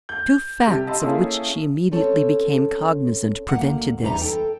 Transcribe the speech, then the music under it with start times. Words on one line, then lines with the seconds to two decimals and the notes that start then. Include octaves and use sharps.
Two facts of which she immediately became cognisant, prevented this.
0.09 G6
0.66 C3 G3 G4 A5
0.87 D#5 A5 B5 C6 E6
1.02 A#3 C#4 E4 G#4 A4
1.92 C4 C#4 A4 C#5
3.49 D2 F#3 A#3 F#5
4.02 E2 G3 D#4 B4 E5 A#5
4.21 A4 G5